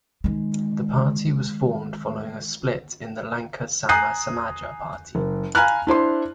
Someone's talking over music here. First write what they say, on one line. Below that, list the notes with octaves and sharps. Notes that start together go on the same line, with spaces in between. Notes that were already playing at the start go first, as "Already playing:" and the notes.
The party was formed following a split in the Lanka Sama Samaja Party.
D#3 G#3
G#5 A#5 D#6 F#6 G6 C7
F#1
F5 G#5 A#5 B5 F6 F#6
D4 E4 C5 C6